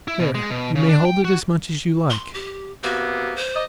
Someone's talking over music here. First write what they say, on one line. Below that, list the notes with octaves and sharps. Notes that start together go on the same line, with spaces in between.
There, you may hold it as much as you like.
E4
B2
G#3
B2
C#3
D4
G5
F#4
C6
G4
C3 A#3 B3 F#4
C5
D5 D#5